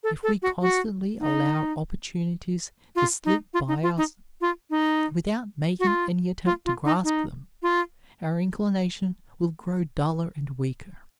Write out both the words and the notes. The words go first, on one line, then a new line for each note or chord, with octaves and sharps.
If we constantly allow opportunities to slip by us without making any attempt to grasp them, our inclination will grow duller and weaker.
A4
A4
F#4
F#4
D#4
F4
D#4
F4
D#4
F4
D#4
F4
D#4
F#4
F4
F4
F4
D#4
D#4
F4